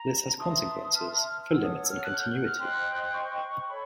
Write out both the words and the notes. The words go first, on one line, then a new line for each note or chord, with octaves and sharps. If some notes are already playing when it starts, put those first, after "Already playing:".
This has consequences for limits and continuity.
Already playing: A#5
B4 E5 A5 C6 D#6
F6
A4 C#5 F#5 E6
D#6
E6
F6
F#6
G6
F#6
F6
C5 D#5 G5 C6 F#6
C#6
A4 C#5 B5